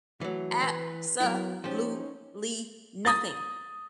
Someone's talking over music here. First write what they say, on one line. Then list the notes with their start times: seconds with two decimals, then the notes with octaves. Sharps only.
Absolutely nothing,
0.21 E3 F#3 A3
0.62 E3 B4
1.20 F#3 B3 E4 A#4
1.64 F3 C#4 D#4 G4
3.05 D#6 A6